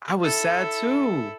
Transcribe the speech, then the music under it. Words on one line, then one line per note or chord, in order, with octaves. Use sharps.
I was sad too!
E4 A4